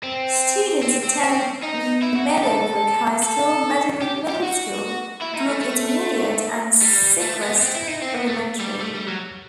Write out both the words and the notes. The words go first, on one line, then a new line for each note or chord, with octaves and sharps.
Students attend Meadowbrook High School, Meadowbrook Middle School, Brook Intermediate and Secrest Elementary.
C4
C4
C4
D#4
E4
F#4
G4
A4
A4
G4
G4
F#4
E4
D#4
A3
A3
G3
A3
B3
C4
E4
D#4
C4
B3
A3
G3
A3
G3
F#3